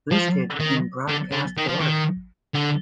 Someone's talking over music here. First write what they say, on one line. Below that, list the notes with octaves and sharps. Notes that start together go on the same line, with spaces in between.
Listed in broadcast order.
F3
D#3
D3
D3
D#3
F3
D#3
D3